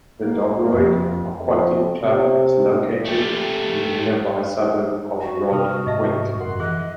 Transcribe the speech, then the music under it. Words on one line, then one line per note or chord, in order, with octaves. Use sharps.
The Dobroyd Aquatic Club is located in the nearby suburb of Rodd Point.
A#3
F2
F2
C3
A3 G4
F#4
C3 D#6 F6
G#2 D#5 E5 A5
F#2 A#4 F#5 C6
E3 G#4 D#5 E5 F#6